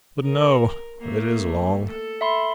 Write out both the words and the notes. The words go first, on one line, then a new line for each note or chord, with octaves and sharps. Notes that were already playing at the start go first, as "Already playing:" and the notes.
But no--it is long.
A#4
A3 A#3
A4
E5 B5 C6